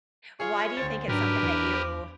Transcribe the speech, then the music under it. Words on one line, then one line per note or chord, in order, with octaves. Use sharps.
Why do you think it's something that you
F4 G#4 C#5
D2 C5 A6
G#2 F#3 D4 G4 A#4 B4
E2 E3
D6